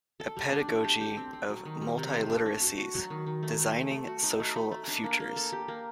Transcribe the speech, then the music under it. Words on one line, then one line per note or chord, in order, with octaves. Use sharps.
A Pedagogy of Multiliteracies: Designing Social Futures.
A4
G3
D4
A3
G4
G4
C4
C4
F#3
D#3
G3
C3
A3
D4
A3
F#4
F#4
F#3
D#3
D#3
A3
A3
A3
A3
F#4
D#4
A3
A3
A3
D4
A#3
A#3
A4
G4
A#3